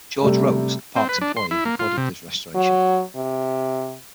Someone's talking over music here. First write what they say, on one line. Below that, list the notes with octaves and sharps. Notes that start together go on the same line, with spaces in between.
George Rose, a parks employee recorded this restoration.
C3 G3 A3
C4
B4
D4
C6
E4
A#3
F4
C3
F#3
C3